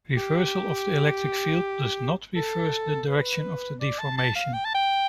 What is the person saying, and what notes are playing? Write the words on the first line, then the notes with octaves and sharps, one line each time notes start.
Reversal of the electric field does not reverse the direction of the deformation.
G4
A4
B4
D5
A5
A5
F5
G5
A5
G5